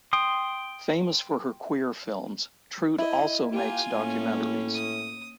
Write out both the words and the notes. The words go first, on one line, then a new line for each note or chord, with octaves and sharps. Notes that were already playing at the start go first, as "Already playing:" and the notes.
Famous for her queer films, Treut also makes documentaries.
G5 C6 D#6
E4 D#5
A#3 F4 G4 G#5
A2 A#3 C#4
D#6